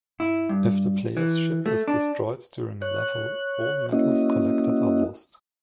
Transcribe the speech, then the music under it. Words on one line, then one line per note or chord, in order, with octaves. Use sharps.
If the player's ship is destroyed during a level, all medals collected are lost.
E4
G2
E3
A3
D4
C#5 F#6
A#3 C#4 E4 F#4 D#5